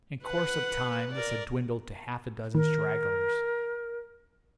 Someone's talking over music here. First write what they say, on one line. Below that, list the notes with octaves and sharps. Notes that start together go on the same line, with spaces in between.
In course of time this had dwindled to half a dozen stragglers.
B4 F#5
A#4 D5
D#3 A#4